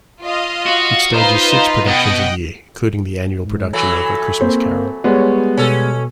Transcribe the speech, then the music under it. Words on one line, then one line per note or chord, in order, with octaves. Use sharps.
It stages six productions a year, including the annual production of "A Christmas Carol".
F4 D#5 F5
F#4
D#4 F4 B4 C5
B2 D#5 F#5 G5
G#2
E3 F#3 A3 G#5
A#3 C4
G3 G#3 B3 C#5
B2 C#4 A4